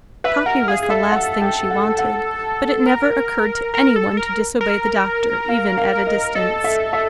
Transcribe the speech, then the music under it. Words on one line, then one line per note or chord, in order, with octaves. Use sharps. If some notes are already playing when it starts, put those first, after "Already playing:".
Coffee was the last thing she wanted; but it never occurred to any one to disobey the doctor, even at a distance.
B4 E5
A#4 F#5
G#4 F5
G#4
A4 E5
F#5
G5
F#5
F#5
A#4
A#4
A4
A#4
A#4
F5
F5
D#5
A4 D#5
E5
E5